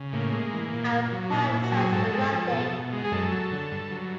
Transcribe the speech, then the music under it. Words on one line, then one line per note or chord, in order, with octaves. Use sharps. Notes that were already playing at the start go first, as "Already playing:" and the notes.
I apologize for nothing.
Already playing: C#3
A2 A#3
G#3
E3
A#2
A#2
F#3
A#2 D#4
E4
A#2
F#4
F#3
G#4
G#2 A4
G#3
F3
B2
B2
G#3
G#4
F#2 A4
F#3
D3
G2
F#3